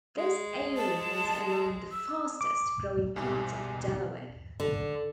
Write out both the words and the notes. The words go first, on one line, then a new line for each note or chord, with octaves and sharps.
This area is among the fastest growing parts of Delaware.
G#3
A5
E6
D6
C2 G#2 B2 G3 G4 G#5
D3